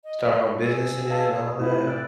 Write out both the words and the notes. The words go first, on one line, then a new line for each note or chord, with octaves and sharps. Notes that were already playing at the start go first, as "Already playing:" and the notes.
Start my own business in it and all that.
D#5
G#4 E6
F5 A5
D#6
A2 F4 B4 B5
D5 E6 F#6